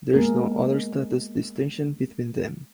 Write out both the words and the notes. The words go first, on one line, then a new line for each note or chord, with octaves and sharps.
There is no other status distinction between them.
G#3 A#3 B3 G#4 A#4